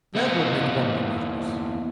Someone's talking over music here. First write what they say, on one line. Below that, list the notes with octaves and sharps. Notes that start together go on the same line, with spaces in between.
That would make one monotonous.
E2 A#3 C5 D#5 F#5